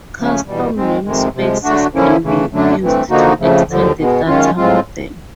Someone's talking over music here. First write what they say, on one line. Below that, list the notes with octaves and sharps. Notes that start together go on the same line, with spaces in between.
Custom namespaces can be used to extend the data model.
C#3 F3 A3 C#4
E2 B2 G3
D#3 G#3 C4
F2 C3 D#3 G#3
C3 F3 G#3
D3 F#3 A3 D4 F#4
D3 F3 A#3 C#4 E4
C#3 E3 A3
F#2 D3 F#3 A3 D4
G2 E3 A3 C4
D3 F3 A#3 D#4 F#4
F2 C#3 F3 A3
D#2 D3 F3
B2 G#3 B3
F#2 D#3 G#3 C#4 F4
A2 F3 G#3 C4 F4